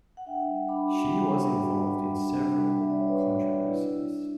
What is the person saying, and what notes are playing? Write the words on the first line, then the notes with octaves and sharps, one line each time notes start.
She was involved in several controversies.
F#5
D4 E5 G5
G3
D4 B5 D6
F#4
G3 G5 B5
G3
F#4
G3
G3
D4
D4
G3
G3 E5
D5
G3 C#5
B4 D5
F#4
D4
E4
E4
E4